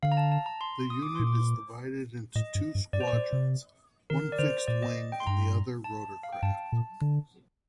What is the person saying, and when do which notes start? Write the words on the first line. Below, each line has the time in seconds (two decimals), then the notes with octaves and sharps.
The unit is divided into two squadrons, one fixed-wing and the other rotorcraft.
0.03 D3 F5
0.12 A#5
0.17 A5
0.32 A5
0.46 A#5
0.61 C6
0.90 D#6
1.02 D6
1.15 A#2 C6
1.27 D6
2.35 A2 D#5
2.55 G2
2.75 G2
2.93 G2 D5
3.00 C5
3.08 D5
3.13 A#2
3.33 C3
4.10 D#3 A#4
4.32 D5
4.39 D3 C5
4.58 C5
4.68 A#2 D5
4.82 D#5
5.12 G5
5.20 C6
5.27 G2 A#5
5.84 A5
6.23 F5
6.33 G5
6.42 G2 A5
6.72 A#2
7.01 D3